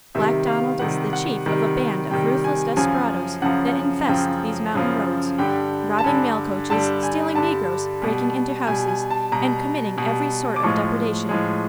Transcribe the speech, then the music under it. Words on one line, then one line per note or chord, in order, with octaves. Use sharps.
Black Donald is the chief of a band of ruthless desperadoes that infest these mountain roads, robbing mail coaches, stealing negroes, breaking into houses and committing every sort of depredation.
C3 D#3 G3 E5
F5
C3 D#3 G3 F#5
F#5
C3 D#3 G3
C3 D#3 G3 G5
G#5
F#2 C#3 F3 G#5
F#2 C#3 F3 F#5
F#2 C#3 F3 G5
F#2 C#3 F3
G2 D3 G3 G5
A5
G2 D3 G3 G#5
G2 D3 G3 A5
G#5
G2 D3 G3 A5
B2 G3
B2 G3 G#5
G#5
A5
B2 G3 A#5
B2 G3
D6
A2 F3 G#3 C#6
A2 F3 G#3